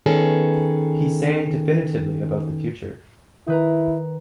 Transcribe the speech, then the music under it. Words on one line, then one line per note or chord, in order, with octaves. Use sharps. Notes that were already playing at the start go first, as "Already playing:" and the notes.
He sang definitively about the future.
D#3 B3 C#4 G#4 A4
D#3 E4 B4 A#5